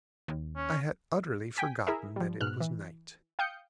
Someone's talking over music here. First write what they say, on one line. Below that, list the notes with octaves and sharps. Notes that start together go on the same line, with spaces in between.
I had utterly forgotten that it was night.
D#2
C#4
G5 G#5 B6
E4 G#4 A#4 E5
F3 G3
G#2 B2 F6 F#6
E3
F5 G5 D#6 G6 C#7